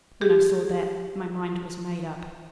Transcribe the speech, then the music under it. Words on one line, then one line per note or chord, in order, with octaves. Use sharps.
When I saw that, my mind was made up.
G4 G#4